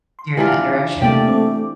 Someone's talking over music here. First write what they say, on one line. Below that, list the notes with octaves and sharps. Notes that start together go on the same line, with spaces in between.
You're that direction.
C6
E3 D4 F4 G4
C3 A3 A#3 G4 D5
C4 D6